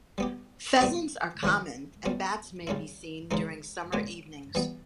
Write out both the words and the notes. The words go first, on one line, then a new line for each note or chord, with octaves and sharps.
Pheasants are common and bats may be seen during summer evenings.
G3 B3 G4
A#2 G3 B3 E4 G4
C#3 E3 G3 C#4 E4
B2 G3 C#4
C#3 G3 C#4 E4
C#3 E3 G#3 D#4
A#2 G#3 C#4 G4
E3 G3 B3